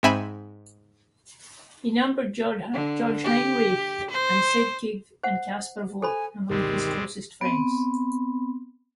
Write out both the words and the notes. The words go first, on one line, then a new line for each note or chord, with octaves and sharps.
He numbered Georg Heinrich Sieveking and Caspar Voght among his closest friends.
G#2 C4 E5 G#5 B5
D3
G4
C5
C5 F#5
A4 C5 G#5 B5
D2 G2 B2 D#3 G3 G#3 C4 G4
B3 C4